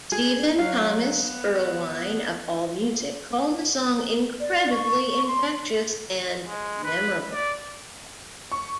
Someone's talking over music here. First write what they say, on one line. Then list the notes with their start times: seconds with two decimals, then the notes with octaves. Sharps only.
Stephen Thomas Erlewine of AllMusic called the song "incredibly infectious" and "memorable".
0.12 G#4
0.59 F#3 F5
1.17 B3
4.40 D5
4.70 C#6
5.25 C6
6.45 G#3
6.84 B4
7.33 D5
8.52 C#6